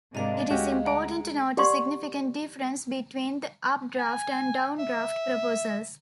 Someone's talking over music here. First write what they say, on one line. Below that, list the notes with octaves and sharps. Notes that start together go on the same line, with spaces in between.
It is important to note a significant difference between the up-draft and down-draft proposals.
G#2 C3 G#3 D4 G4 A#4 D#5 F5
D2 G#3 C#4 D#4 F#4 G4
F#5 A#5 D7
G4 D5 F#5 C6 C#6
G#5
E5